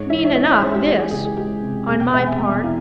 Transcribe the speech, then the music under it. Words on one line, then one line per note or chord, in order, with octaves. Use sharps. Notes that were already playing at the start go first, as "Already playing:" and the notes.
Mean enough this, on my part.
Already playing: G#2 C#5
E3 E5
C#5
C#4 E5
C#5
G#3 C5
G#4
G4
E3 G4
G#4
C#2 G#4
G#4
G#3 G4
C3
E1 G#4
G5
E1 E5
G#5
E1 A#5
G#5
E3 F5